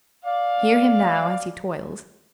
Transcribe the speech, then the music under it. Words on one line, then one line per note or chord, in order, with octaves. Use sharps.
Hear him now as he toils.
D5 F5